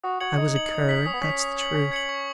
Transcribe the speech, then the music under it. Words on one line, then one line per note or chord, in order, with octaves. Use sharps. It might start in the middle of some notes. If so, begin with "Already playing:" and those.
I was a cur, that's the truth....
F#4 D#6
F#4 G#6 C#7 F#7
D#4 D#6
G#6 C#7 F#7
D#6
B6 F#7
C#4 D#6
B3
C#4 B6 F#7
D#6
G#6 C#7 F#7
C#4 D#6
G#6 C#7 F#7
C#6